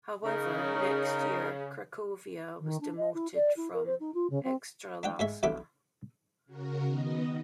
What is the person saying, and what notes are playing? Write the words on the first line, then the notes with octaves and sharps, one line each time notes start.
However, next year, Cracovia was demoted from Ekstraklasa.
C#3 D#4 A#4
D#3
D4
D#5
E4
D5
E4
A#4
C5
D#4
F4
C#3
C4
D4 F#5 G5
G#2 G#3 E5 C#6
B1 D3 E3 E4 A4 D6
C#3 F#4 A#4
D#3 B3 D#5